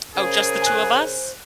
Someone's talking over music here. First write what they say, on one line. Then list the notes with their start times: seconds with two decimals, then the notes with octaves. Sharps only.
Oh, "Just the two of us?"
0.15 C#3 G#4 A#4 C5
0.62 G#5 F#6